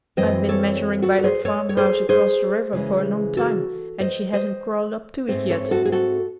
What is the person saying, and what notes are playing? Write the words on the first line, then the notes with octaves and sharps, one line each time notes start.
I've been measuring by that farmhouse across the river for a long time, and she hasn't crawled up to it yet!
F#2 E3 G#3 C4 C5 D#5
A4 C#5
F#4 A4
A4
G#4 C5
A4 C#5
C#5
G#4 C5
G#4 C5
C#3 E3 G#3
F#4 A4
C5 D#5
C5 D#5
G#2 E3 A3 C4 C5 D#5
A4 C#5
F#4 A4
G#4
F#4 A4